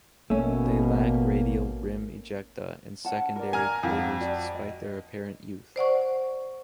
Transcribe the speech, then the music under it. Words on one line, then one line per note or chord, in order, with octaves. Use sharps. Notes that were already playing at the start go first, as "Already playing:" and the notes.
They lack radial rim ejecta and secondary craters despite their apparent youth.
A1 B2 A3 A#3 C#4
C#4 F#5 A5
A#4 D5
G#5 A#5 F6
F2 G4 F5 F#5
F#4 D5 G#5
D#5
C5 D5 F#5 C#6